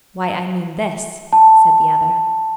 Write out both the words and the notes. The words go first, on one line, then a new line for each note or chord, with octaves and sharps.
"Why, I mean this," said the other.
A5